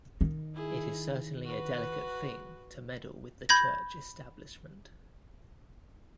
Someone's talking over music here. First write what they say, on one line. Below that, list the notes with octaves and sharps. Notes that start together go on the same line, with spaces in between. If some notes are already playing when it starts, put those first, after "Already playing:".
It is certainly a delicate thing to meddle with the church establishment.
D#3
E4 G#4
F#4 B4
B5 G6 G#6 A#6